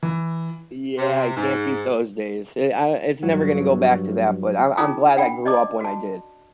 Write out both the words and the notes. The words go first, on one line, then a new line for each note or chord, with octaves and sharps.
Yeah, you can't beat those days, i i it's never gonna go back to that, but I'm I'm glad I grew up when I did.
E3
C3
G#2
G2 F#3
C#4 D#4 F4 G#4 D#6
D4 F#5 G5 B5
D5 D#5 A5 D6
F#4 A5